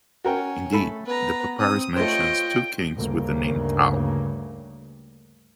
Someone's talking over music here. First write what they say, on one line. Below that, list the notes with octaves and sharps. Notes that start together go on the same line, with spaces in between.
Indeed, the papyrus mentions two kings with the name Tao.
C#4 F#4 A#4 G5
A3 A4 B5
B3 B4 A#5
C4 D#6
A3 F4 C5 C#5 D#5 G5
D2 G2 C#3 A#3